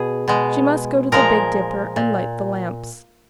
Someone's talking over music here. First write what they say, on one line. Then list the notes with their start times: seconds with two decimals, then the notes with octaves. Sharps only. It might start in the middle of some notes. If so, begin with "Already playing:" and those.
She must go to the Big Dipper and light the lamps!
Already playing: B2 G#4
0.28 B2 G#3
1.12 A#2 F3 G#3 A#4
1.96 A#2